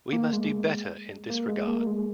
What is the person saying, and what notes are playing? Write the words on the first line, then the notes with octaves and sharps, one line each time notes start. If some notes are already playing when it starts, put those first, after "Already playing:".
We must do better in this regard.
A#3
G#3
A#3
G#3
A#3
G#3